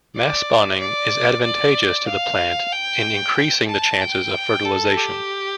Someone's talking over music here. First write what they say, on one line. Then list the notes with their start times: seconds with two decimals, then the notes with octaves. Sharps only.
Mass spawning is advantageous to the plant in increasing the chances of fertilisation.
0.16 D5
0.79 D5
1.44 D5
2.08 F5
2.72 G5
3.36 G5
3.69 A5
4.01 G5
4.65 A4
4.97 G4